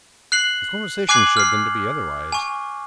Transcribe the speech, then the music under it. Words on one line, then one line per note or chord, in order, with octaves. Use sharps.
His conversation showed them to be otherwise.
F#6 C7 F#7
G#5 D6 F#6 G#6 C7 F#7
F6 C7
G#5 C#6